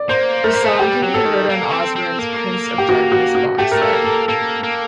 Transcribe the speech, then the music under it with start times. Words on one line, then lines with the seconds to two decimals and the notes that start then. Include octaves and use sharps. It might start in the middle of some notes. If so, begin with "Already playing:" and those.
The song can be heard on Osbourne's "Prince of Darkness" box set.
Already playing: D5
0.09 A#3 C5
0.44 A3 A#4
0.53 A#3 C5
0.63 A3 A#4
0.79 G3 G4
1.02 F#3
1.14 A4
1.25 D#3
1.49 A#3
1.72 C4
1.96 C4
2.19 A#3
2.78 G4
2.89 F#4
3.12 F#4
3.35 F#4
3.58 A3 G4
3.72 A#4
3.82 A4
3.93 A#3
4.04 A4
4.28 A#3 A4
4.63 A#3